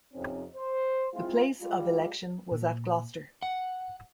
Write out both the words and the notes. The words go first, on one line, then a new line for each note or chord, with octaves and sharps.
The place of election was at Gloucester.
F2 C3 C4 C#4 D#4
C5
G#3 C4 E4 F4
G3 G#3 F4
A#2
F#5